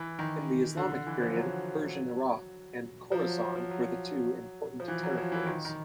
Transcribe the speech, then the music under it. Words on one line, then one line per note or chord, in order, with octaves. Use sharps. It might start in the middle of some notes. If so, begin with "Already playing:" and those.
In the Islamic period, "Persian Iraq" and "Khorasan" were the two important territories.
Already playing: E3
D#3
D3
D3
E3
F3
F#3
F3
F#3
F#3
F3
F#3
F3
E3
F#3
F3
E3
D#3
D#3